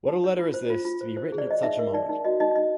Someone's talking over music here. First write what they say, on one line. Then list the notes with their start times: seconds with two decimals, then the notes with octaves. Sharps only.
What a letter is this, to be written at such a moment!
0.08 D#4
0.24 C#5
0.39 F4
0.54 C5
0.70 F4
0.85 F4
1.01 C5
1.17 C5
1.32 G#4
1.38 D5
1.47 C5 D#5
1.63 D#4 E5
1.79 A#4
1.94 D#4 D5
2.09 D#4
2.25 F#4 D#5
2.40 D#4 D#5
2.56 D#4 D#5